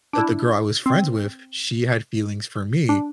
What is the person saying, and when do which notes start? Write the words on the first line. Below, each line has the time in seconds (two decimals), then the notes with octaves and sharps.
that the girl I was friends with, she had feelings for me,
0.13 D4
0.18 E4
0.86 C4
2.89 D4